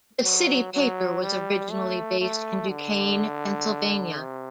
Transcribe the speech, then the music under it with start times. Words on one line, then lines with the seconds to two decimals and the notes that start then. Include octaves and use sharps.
The "City Paper" was originally based in Duquesne, Pennsylvania.
0.23 F#3
0.73 F#3
1.22 G3
1.71 A3
2.20 A3
2.70 D3
4.17 C3